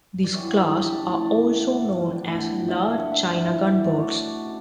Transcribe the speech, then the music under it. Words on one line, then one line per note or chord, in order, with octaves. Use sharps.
This class are also known as "Large China Gunboats".
D5
G2 E3 G3 B3 C#5
F#4
A4
G4
C#3 E3 A3 E4 A4
C#5
D5
E3 B3 E4
F#5
A2 G3 D4
F#5
G2 D3 A3 E5
F#5
E5
E3 B3 E4
F#5
E5
B2 A3 D4 D5
C#5
D5
C#3